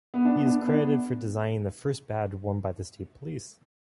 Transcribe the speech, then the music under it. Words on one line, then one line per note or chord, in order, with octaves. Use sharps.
He is credited for designing the first badge worn by the state police.
B3
D4
B3
D4
B3
D4
B3